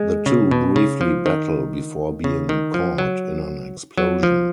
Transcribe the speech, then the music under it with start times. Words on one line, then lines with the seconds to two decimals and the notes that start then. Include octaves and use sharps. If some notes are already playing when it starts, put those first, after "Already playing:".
The two briefly battle before being caught in an explosion.
Already playing: G#3
0.26 C#3
0.51 B2
0.76 C#3
1.01 F3
1.26 D#3
2.24 C#3
2.49 D#3
2.74 F3
2.98 F#3
3.98 F#3
4.23 F3